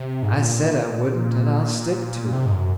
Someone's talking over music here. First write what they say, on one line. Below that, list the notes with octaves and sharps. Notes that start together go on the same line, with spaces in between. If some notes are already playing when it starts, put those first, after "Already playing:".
I said I wouldn't, and I'll stick to it.
Already playing: C3
G#2
A#2
C3
G#2
F#2